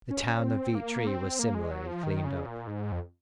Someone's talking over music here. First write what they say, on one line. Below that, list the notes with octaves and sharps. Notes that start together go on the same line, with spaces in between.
The town of Vietri was similarly cleaned up.
C#4
C4
A#3
C4
A#3
G#3
F#3
F3
D#3
C#3
A#2
G#2
F2